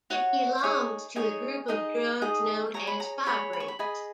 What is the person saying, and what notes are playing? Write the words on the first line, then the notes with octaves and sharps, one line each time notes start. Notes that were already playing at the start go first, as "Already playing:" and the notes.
It belongs to a group of drugs known as fibrates.
F#4 C#5 F#5
D#4 G#4 C#5 G#5
D#4 G#4 C#5 G#5
D#4 G#4 D#5
D#4 G#4 D#5
G#4 C#5 A#5
B5
A#5
G#4 C#5 B5
B5
C#6
B5
G#4 D#5 B5